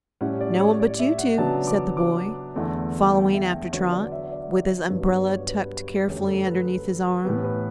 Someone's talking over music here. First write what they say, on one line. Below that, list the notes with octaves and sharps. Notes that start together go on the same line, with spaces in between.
"No one but you two," said the boy, following after Trot, with his umbrella tucked carefully underneath his arm.
A2 G3 C#4 E4 F#5
D5
C#5
D5
E5
F#5
C#3 F#3 B3 D4 A5
D6
D6
E2 D3 A3 E4
G5
E5
D3 F#3 B3 C#5
D5
E5
D5
G2 F#3 B3 D4 C#5
D5
C#5
B4
F#2 D3 A3 G4
A4
B4
A2 E3 B3 G4
B4